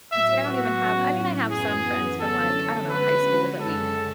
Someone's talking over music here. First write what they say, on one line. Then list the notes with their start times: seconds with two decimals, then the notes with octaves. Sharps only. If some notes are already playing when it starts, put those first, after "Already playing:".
And see, I don't even have I mean, I have some friends from like, I don't know, high school that we
0.11 A2 F#3 B3 E5
0.45 F#4
0.80 A2 F#3 C#4 E4
1.50 F#2 E3 B3 F#4 G#4
2.19 E2 D3 F#3 A3 C#4 A4
2.89 D3 G#3 C#4 F#4 B4
3.59 F#2 C#3 G#3 C#4 A4